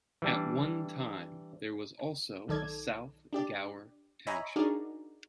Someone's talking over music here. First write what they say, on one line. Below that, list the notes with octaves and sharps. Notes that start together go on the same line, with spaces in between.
At one time, there was also a South Gower Township.
E3 G3 D4
B1 D#3 A4 D5 G#6
D4 G4 D5
C#5 D#5 E5 G#5 A#5 B5
D4 D#4 F#4 G#4 A#4 D5